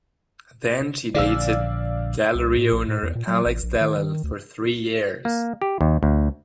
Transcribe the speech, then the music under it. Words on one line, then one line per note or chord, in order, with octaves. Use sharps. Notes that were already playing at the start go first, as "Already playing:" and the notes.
Then she dated gallery owner Alex Dellal for three years.
A#1 D3 D5 F5 E6
C2
A2
A#1
A2
E2
A#2
F#3
A1
A#1
D#3
D#3
D2
A#3
G4
D#2
D2